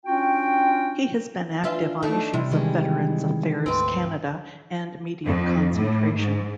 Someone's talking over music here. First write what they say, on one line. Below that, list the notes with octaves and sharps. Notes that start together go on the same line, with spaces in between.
He has been active on issues of Veterans Affairs Canada and media concentration.
C#4 D4 F4 F#4 G5
E3 D4 F4 E5
A3 D4 D#4
C3 G3
D#3 E3 G#3
D2 G#2 C4 B4
F2
A2
G#2